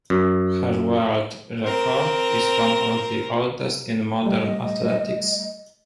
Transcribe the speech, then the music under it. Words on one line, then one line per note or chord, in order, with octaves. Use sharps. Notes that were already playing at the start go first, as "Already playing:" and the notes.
Her world record is one of the oldest in modern athletics.
F#2
C4 A#4
G3 A3 D#5